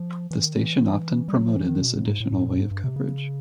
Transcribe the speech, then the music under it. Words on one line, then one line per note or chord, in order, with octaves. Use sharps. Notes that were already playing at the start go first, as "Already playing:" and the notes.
The station often promoted this additional way of coverage.
Already playing: F3
E3
D#3
E3
G3
F#3
F3
E3
D#3
B2
A2
G#2
A2
A2
A#2
G#2
G2
C3
C#3